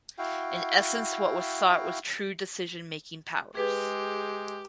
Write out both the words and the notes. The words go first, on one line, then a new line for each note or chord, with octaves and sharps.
In essence what was sought was true decision making powers.
E4 F#4 F5 G5
G#3 G4 G#4 B4